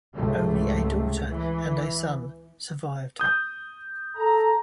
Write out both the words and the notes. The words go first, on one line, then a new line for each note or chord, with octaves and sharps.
Only a daughter and a son survived her.
C#2 G#2 C3 A3
E3
D#6 G6
A4 A#5